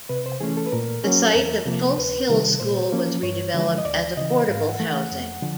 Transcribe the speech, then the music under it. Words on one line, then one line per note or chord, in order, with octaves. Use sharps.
The site of Tulse Hill school was redeveloped as affordable housing.
C3 B4
C5
E3 A3 C#4 G#4
A4
B4
A#2 A#4
F#3 A#3 C#4
E2 A#4
C3 F3 A#3
D2 B4
C3 D#3 G3
A#2 C5
F3 A#3 C#4
G2 C#5
D3 F3 G#3
D#5
D2 D5
C#3 E3 D#5
G#2 F5
F#5
E3 A3
F#5
F2
D3 F3